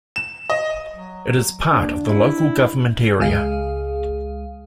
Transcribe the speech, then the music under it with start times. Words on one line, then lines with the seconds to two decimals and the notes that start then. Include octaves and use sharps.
It is part of the local government area.
0.16 E7
0.50 D#5
0.93 F#3
1.73 D#2 D4
2.04 E4
3.19 C#2 G#3 G#4 F5